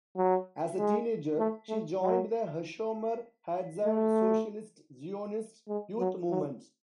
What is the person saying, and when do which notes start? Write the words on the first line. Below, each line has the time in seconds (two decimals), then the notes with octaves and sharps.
As a teenager she joined the HaShomer HaTzair Socialist-Zionist youth movement.
0.17 F#3
0.77 G#3
1.39 A3
1.69 A3
2.01 F#3
3.85 A3
5.68 G#3
5.99 F#3
6.30 F#3